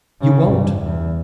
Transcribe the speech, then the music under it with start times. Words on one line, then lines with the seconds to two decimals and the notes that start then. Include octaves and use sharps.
"You won't!"
0.21 C#3
0.52 G2
0.82 E2